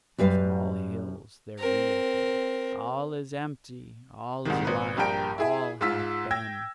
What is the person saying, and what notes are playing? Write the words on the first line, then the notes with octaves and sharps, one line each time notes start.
And from all hills there re-echoed: 'All is empty, all is alike, all hath been!'
F#2 G3 B4 F5
C4 A#4
C2 G#2 D#3
G#1 B4
A#1 G2 G4 A#4 G5 D7
E4 G#4 E5
G#2 F4 E6 B6
G5 E6 G#6 A#6